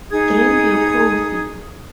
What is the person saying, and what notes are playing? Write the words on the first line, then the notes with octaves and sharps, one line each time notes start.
Drink your coffee.
D#4 G#4 D#6 G#6